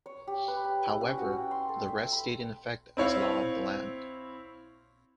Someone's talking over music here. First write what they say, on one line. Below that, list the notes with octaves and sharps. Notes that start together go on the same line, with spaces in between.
However, the rest stayed in effect as law of the land.
C#5
G4
B4
B5
E4
C#4
F#4
G5
C6
A4
E5
B5
C4 E4 C#5 F5